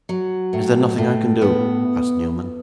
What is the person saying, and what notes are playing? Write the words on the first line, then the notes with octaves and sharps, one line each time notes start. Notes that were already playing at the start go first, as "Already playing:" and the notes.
'Is there nothing I can do?' asked Newman.
F#3
A2
A2
B3